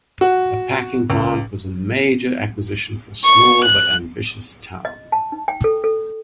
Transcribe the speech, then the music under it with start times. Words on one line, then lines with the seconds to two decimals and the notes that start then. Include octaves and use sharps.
A packing plant was a major acquisition for a small but ambitious town.
0.21 F#4
1.10 C#2
3.24 C#6
3.64 F#6
4.85 D#5
5.12 A5
5.32 D#4
5.48 G5
5.64 A4
5.84 A4